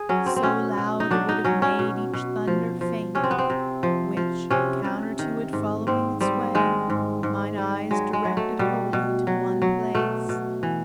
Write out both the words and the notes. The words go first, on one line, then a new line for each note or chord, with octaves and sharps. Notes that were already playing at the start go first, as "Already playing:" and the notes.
So loud it would have made each thunder faint, Which, counter to it following its way, Mine eyes directed wholly to one place.
Already playing: G#4
F#3 C#4
C4
C4
B2 C#4
B2
D#4
F#3 D4
D#4
F#3 C#4
C#4
B2
B2
F3
F3
C3 C#4
C4
B3
C4
C3
F3
F3
C3 C#4
C3
D#3
G#2
G#2 C4
G3 C4
D#3 G#3
G#2
G#2
G3
F#3 G#3
G#3
F#3
A3
B2 G3
B2
F#3
F#3
B2 A3
B2
E3